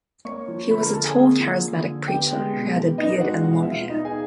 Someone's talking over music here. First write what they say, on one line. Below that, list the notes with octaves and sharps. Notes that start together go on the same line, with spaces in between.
He was a tall, charismatic preacher who had a beard and long hair.
A#3 C#5 C#6
F3
D3 B4 B5
A#4 A#5
D3 A4 A5
G#4 G#5
A#3
F3
D3
D3
B3 G4 G5
G#3
B2
B2
B3 D#4 D#5
D4 D5
G#3 F#4 F#5
F4 F5
B2 F#5
F5
E5
B2 F4 F5
B3 D#4 D#5
G#4 G#5